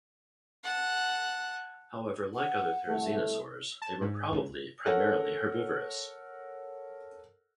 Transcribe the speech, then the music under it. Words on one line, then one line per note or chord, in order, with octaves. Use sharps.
However, like other therizinosaurs, they were probably primarily herbivorous.
F#5 A5
F#5
C2 A3
A5
G#2
C#2
A4 A#4 C#5 F#5